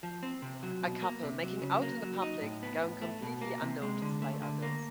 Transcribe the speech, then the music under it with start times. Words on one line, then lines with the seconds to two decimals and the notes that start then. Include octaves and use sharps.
A couple making out in public going completely unnoticed by others.
0.03 F3
0.23 C4
0.42 C3
0.63 F#3
0.82 B2
1.02 A#3
1.23 C3
1.43 F#3
1.62 C#3
1.82 A#3
2.02 F#3
2.22 D#4
2.42 A2
2.63 B3
2.82 A2
3.02 A3
3.22 B2
3.41 A#3
3.62 C3
3.82 G#3
4.02 D3
4.22 A3
4.42 D3
4.62 A#3